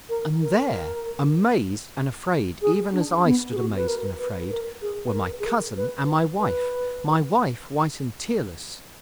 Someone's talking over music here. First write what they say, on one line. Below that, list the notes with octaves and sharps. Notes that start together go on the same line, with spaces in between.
And there, amazed and afraid, even as I stood amazed and afraid, were my cousin and my wife--my wife white and tearless.
A#4
A#4
G#4
D4
B3
G#4
F#4
B4
A#4
B4
A#4
G#4
B4
A#4
G#4
A#4
B4
B4